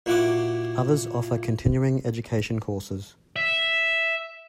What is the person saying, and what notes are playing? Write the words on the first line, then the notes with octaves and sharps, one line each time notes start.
Others offer continuing education courses.
A#2 A#3 E4 F#4 F#5 D6
E5